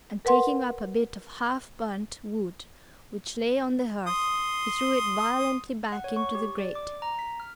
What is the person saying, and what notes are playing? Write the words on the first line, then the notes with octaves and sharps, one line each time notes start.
And taking up a bit of half-burnt wood which lay on the hearth, he threw it violently back into the grate.
A#4 B4 F#5 C6
C6 D#6
F#5
C#5
C#6
G4
D5
D6
A#5
B6
F6